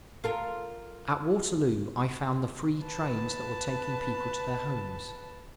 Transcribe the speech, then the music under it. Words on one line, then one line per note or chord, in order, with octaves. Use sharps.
At Waterloo I found the free trains that were taking people to their homes.
F4 A4 A#4
B4 A5